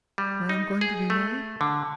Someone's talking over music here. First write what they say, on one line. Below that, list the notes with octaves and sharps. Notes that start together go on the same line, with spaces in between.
"Where I am going to be married?"
G3
D#4
G#4
A3
D3